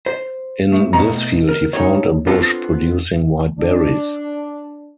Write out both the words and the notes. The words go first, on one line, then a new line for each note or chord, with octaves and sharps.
In this field he found a bush producing white berries.
C5
A3
B2 A3 B3 A#5
A#4
D#4 C#5
B3 C4 D4 F4 A4 C5
D4